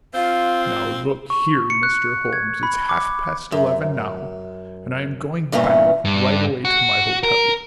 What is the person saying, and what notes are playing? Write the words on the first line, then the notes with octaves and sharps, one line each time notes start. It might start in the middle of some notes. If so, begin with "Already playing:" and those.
Now, look here, Mr. Holmes, it's half-past eleven now and I am going back right away to my hotel.
C4 F4 F5
C#6
C#7
F#6
G#6
B5
D6
F#2
E2 G2 A#2 E3 C#4
G2
F#4
A#4